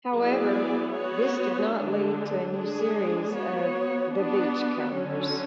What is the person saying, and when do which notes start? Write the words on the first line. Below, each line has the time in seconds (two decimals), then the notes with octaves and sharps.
However, this did not lead to a new series of "The Beachcombers".
0.14 F#3 B3 E4 G#4 D5
0.95 B3 F#4 C#5
1.74 D3 G#3 D4
2.54 G#3 D4 G#4
3.34 B3 F#4 C#5
4.14 B3 D4 F#4
4.93 D3 F#3 C#4